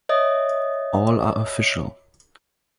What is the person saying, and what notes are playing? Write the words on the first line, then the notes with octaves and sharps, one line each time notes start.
All are official.
C#5 D#5 E5 D#6